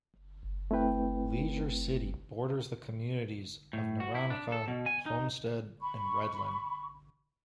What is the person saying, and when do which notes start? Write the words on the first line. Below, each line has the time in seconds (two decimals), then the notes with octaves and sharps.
Leisure City borders the communities of Naranja, Homestead, and Redland.
0.71 A3 C4 E4 B4 G5
3.73 A2
4.00 F#4
4.15 E4
4.30 D4
4.52 A4
4.68 B2
4.86 G#5
5.06 D#4
5.82 B5 C#6